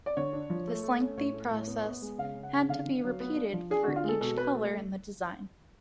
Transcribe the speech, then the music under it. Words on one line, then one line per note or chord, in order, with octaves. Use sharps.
This lengthy process had to be repeated for each color in the design.
D5
D3 C#5
D4
F3
A3
A3
C#4
A2 C#5
A3
A2
B3
B3
G#3
C#3 F5
C#3
F#5
C#3
D3 F5
D3
F#3
B3
D4
F3
D4 G#4
F#4
D3
F4
G#3 A4
B2 A4
B2 B4
A3